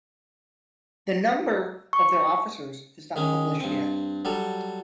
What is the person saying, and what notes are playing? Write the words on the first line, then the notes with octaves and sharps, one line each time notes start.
The number of their officers is not published yet.
C#6
D#3 G#3 C#4
G2 C4
F#3 G3 A4